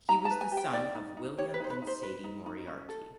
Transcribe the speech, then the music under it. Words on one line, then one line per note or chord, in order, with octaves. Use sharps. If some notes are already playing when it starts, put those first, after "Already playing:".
He was the son of William and Sadie Moriarty.
D#4 A#5
A5
B4
G#5
G4
G5
D#4 D5
D#4
D#4
G4 C#5
B4
D#4 C5
B4
D#4
C5
B4
D#4
D#4
C#4
A4